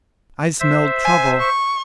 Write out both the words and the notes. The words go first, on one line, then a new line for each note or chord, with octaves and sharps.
I smell trouble.
C5 E5
G#5
C#6